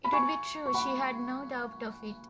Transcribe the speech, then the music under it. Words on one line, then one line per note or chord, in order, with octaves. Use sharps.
It would be true; she had no doubt of it.
B5
G#5 C#6
C#6
F#5 B5